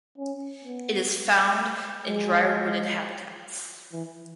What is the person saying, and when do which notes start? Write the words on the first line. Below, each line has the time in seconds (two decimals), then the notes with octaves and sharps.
It is found in drier wooded habitats.
0.18 C#4
0.65 B3
2.05 G#3
3.93 E3